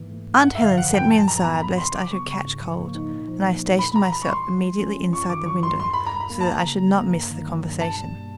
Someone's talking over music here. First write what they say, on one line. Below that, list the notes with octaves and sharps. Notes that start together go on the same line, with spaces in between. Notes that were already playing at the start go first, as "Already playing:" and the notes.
Aunt Helen sent me inside lest I should catch cold, and I stationed myself immediately inside the window so that I should not miss the conversation.
Already playing: G#2 E3 A#3
A3
G#2
F#2 F#5
E5
D3 F5
F3 F#5
F#2 G5
A2 A5
F#3 A#5
B3 A#5
A2 B5
C#3 C6
F#3 D6
B3 C#6
C#3 C#6
G#2
F3
A#3
D#4
A#2
F3
A#3
A#2
F2 B5
C3 A#5
E3 B5
C#6
G3 C6
F3
G#3
C#4
F4
G2 C#6
D#3 D6
F#3 C#6
G2 C6
E2 C6
B2 B5
A#5
G3
B5
A#3
A5
F2 A#5
C#3
F3
A#3
G2
D#3
F#3
G2
B2 A5
G3
A#3